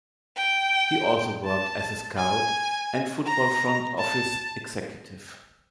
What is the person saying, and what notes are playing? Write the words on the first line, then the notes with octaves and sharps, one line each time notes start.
He also worked as a scout and football front office executive.
G5
A5
G#5
A#5
A5